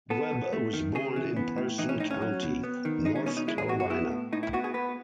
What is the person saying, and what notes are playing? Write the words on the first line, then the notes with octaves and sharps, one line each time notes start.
Webb was born in Person County, North Carolina.
B3 A4
B2
A3
D#3
C#3 G#4
E3
B3
A2
E3 D#4
C#4
A2 D#4
C#4
F#3
B2
B3
D#3
G#3 D#4
C#4
B2 C#4
D#4
G#3 E4
G#4
B2 F#4
F#4
B3 E4
A2
A2 D#4
E4
B3 F#4
G#4
B3 B4